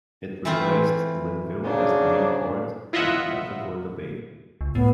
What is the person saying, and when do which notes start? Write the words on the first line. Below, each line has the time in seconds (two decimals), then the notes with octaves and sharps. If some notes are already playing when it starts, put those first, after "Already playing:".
It replaced Linnville as the main port on Matagorda Bay.
0.45 E3 A3 C4 E4 F4
1.64 G#2 C#3 D4
2.93 E4 F4 D#5 E5 F#5
4.61 C#2
4.75 A2 B3